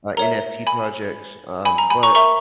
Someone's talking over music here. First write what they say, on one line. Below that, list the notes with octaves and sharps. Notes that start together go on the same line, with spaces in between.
uh, NFT projects, um, but
A#4 C#5 E5 A#5
G#5 B5
G#5 B5
A#5
G#5 B5
A#5 C#6
A#4 E5 A#5 C#6